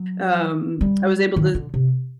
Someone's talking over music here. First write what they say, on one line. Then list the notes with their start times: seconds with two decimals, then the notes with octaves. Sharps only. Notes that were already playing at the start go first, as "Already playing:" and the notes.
um, I was able to
Already playing: F#3
0.81 G3
1.36 D#3
1.55 D3
1.74 C3